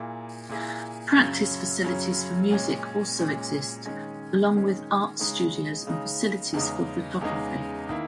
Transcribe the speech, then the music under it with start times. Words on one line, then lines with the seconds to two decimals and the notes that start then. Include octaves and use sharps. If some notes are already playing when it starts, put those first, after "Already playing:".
Practice facilities for music also exist, along with art studios and facilities for photography.
Already playing: A#2 A#3 E4 G#4
0.49 A#2 A#3 E4 G#4
1.17 F#2 C#3 F#3 C#4
1.84 F#2 C#3 F#3 C#4
2.51 A#2 G#3 C#4
3.19 A#2 G#3 C#4
3.86 D#3 G#3 C#4
4.53 D#3 G#3 C#4
5.19 C#3 G#3 D#4
5.87 C#3 G#3 D#4
6.54 E2 C#3 G#3 D#4
7.21 E2 C#3 G#3 D#4
7.89 D#3 A#3 E4